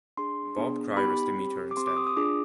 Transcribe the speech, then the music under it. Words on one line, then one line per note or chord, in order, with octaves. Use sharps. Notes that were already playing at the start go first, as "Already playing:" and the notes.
Bob Cryer is to meet her instead.
D4 G#4 C6
B3 D4 G#4
B3 D#4 G4 B5
C4 G4
D6
C4 G4 C6
D6
D#6
D#6
D4 F4 G#4 D6